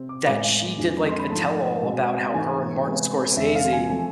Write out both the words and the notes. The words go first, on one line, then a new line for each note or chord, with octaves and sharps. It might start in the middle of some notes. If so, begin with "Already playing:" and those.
that she did, like, a tell-all about how her and Martin Scorsese
Already playing: C3 C4
D6
A2 G#3 B3 D6
F2 D3 G#3 C4
C6
B5
G#2 F3 A3 A5
B2 G#3 C4
G#2 E3 A3 G#5
C3 G#3 B3
E2 C3 G#3 C4 E5
F5
G#5
F3 A3 C4 G#5